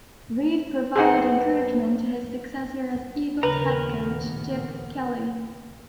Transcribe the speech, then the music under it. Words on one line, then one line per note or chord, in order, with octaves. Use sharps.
Reid provided encouragement to his successor as Eagles head coach, Chip Kelly.
F#2 C4 D#4 G#4 B4 F#5
A#1 D#2 C#3 B3 A#4 B4 A#5